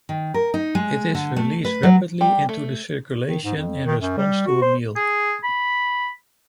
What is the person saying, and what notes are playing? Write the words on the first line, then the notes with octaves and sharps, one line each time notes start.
It is released rapidly into the circulation in response to a meal.
D#3
A#4
D#4
G#3
D3
A3
B4
F#3
G3
A3
D#3
G#2
F2
D#3
F#2
G3
F#4
C5
G#4
B5